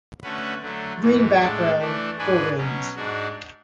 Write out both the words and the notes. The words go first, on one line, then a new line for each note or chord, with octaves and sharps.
Green background for wins.
D3 A3 C#4 F#4 B4
D3 F#3 A3
G#2 E3 B3
A2 G#3 D4 A4
E3 A3 D4
G#2 G#3 D4 G#4 B4
B2 F#3 C#4
G#2 G#3 D4 F#4